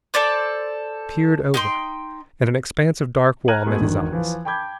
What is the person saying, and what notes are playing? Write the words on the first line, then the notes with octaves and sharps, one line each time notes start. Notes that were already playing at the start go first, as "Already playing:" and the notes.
He peered over, and an expanse of dark wall met his eyes.
A4 C5 D5 D6
D#4 G5 C6
A#5 F6 F#6 G#6 D#7 F#7
B2 G#3 A3 B3
G#1 E2 D3 D#3
E3 F3
G5 A5 B5 D6 G6 G#6